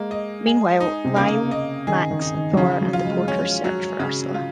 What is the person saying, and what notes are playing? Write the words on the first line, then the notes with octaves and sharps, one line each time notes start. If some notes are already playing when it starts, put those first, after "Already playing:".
Meanwhile, Lyle, Max, Thor, and the porters search for Ursula.
Already playing: G#3 A#3
D#5
G#4
D#4
C3
C#3 A#3
D#5
D#3 G#4
D#3
D#4
D#3
F#3
C#3 F3
F#3
F4
G#3
C#4
F#3
C#3
F4